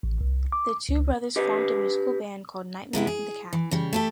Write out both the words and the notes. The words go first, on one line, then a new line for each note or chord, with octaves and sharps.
The two brothers formed a musical band called Nightmare and The Cat.
A1
C2
D6
C#2
G4 B4 D#5
C3 G#3 E4 G4
G#4
E3
C#3 G3
A3 G4 A4